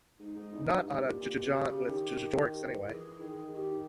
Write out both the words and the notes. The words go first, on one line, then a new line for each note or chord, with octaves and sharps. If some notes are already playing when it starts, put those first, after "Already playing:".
Not on a j-j-jaunt with J-J-Jorrocks anyway.
G#2 D#4
G#2
E2
G2
G#2 G4 G#4
A#2
A#2
B2
C#3
D#3
E3 G#4
D#3
D#3 G4